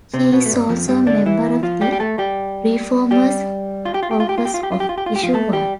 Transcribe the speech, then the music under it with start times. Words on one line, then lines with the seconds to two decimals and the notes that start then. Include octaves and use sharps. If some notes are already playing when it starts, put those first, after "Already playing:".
She is also a member of the ReFormers Caucus of Issue One.
0.14 C3 C4
0.32 B2 B3
0.46 A3
0.51 G2 G3
0.69 F2 F3
0.88 G2 G3
1.06 D3 D4
1.26 E3 E4
1.63 F3 F4
1.81 G3 G4
1.92 G4
2.00 A3 A4
2.18 G3 G4
3.11 G3 G4
3.85 F4
3.94 G4
4.03 F4
4.11 G4
4.20 F4
4.29 G4
4.38 F4
4.45 G4
4.54 F4
4.63 G4
4.72 F4
4.80 G4
4.89 F4
4.98 G4
5.06 F4
5.16 G4
5.23 F3 F4
5.34 A3 A4
5.53 G3 G4